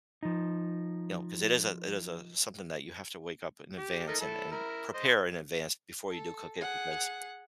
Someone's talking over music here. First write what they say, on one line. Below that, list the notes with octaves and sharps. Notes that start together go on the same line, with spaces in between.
you know, 'cause it is a it is a something that you have to wake up in advance and and prepare in advance before you do cook it because
F3 D#4
G4
A3 D#4 A#4
E4 A4
E4 A#4
C5 D#5
A4
G#4 F#5